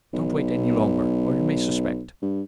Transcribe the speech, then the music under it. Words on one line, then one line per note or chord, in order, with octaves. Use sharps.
Don't wait any longer or he may suspect.
B1
G2